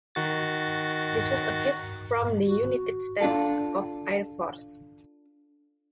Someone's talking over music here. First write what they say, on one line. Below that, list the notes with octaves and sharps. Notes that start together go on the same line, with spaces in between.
This was a gift from the United States Air Force.
D#3 F#4 A6
F#4
D4 F4 A4